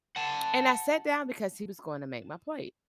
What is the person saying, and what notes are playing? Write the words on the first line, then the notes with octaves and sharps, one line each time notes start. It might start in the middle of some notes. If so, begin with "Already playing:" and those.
and I sat down because he was going to make my plate,
F#5 A5